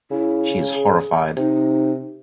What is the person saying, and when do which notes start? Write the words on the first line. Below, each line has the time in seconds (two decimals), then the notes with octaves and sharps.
She is horrified.
0.11 C#3 E4
0.68 G#4
1.37 C3 D#4